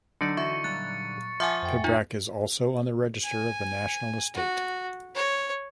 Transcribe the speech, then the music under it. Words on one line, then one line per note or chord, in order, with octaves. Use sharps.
Pibrac is also on the Register of the National Estate.
D3 F#3 D4 D#4 D5 C#7
E3 E4 F#4 E5 C#6
A#2 F#3 G3 F#6 A6
F3 E5 F#5 G#5 A5 D6
F2 G5
D#4 F4
G#5
F#4
C#5